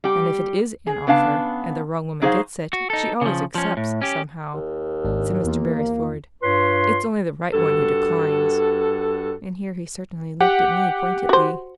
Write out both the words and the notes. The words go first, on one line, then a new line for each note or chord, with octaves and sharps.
"And if it is an offer, and the wrong woman gets it, she always accepts, somehow," said Mr. Beresford; "It's only the right one who declines!" and here he certainly looked at me pointedly.
G3 G4
G#4
C#3 B3 D4 F5 A5
F#3 D#4 G#4 B4 C5 F5
F#4
D#4 A4
C#3 F3
F3 C#4
A2
C#4 G4
D#2
G#1 D4
E2 A#3 F4
G2 F4 B4 C#5 C6
G2 F#4 A4
G4 F#5
F#4 C5